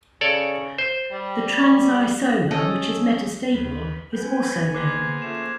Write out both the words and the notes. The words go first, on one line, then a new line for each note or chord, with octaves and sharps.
The trans isomer, which is metastable, is also known.
C#3 A4 C#5 D5
C5
G3
C#4 A4 D#5
D#2 B4
B3 B4 G5 G#5
A#3 G#4 C5 D6 F#6 G#6
F3 A3 C#4 E7